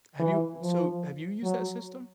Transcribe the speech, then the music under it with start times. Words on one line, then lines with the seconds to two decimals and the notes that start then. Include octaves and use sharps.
have you so, have you used that system?
0.19 E3
0.62 F3
1.43 F#3